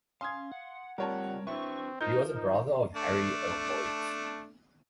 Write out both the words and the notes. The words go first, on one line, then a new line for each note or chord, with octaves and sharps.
He was a brother of Harry O. Hoyt.
C#4 F5 C6 D#6 G#6
F#5
G3 C4 F4 G4 A#4 C#5 F#5 A5
C4 D4 E4 F#4 B4 C#6
D#4 F4 A#4 C5 G6
D#4
A3 D4